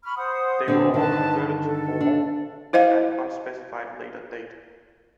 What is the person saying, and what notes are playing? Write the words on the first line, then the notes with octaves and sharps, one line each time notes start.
They were all converted to bore at an unspecified later date.
B5 C#6 F6
C5 F#5 D#6
F#2 D3 C4
G2 D3 D#3 B4 A5
A4
D4
E4 C5 D#5 F5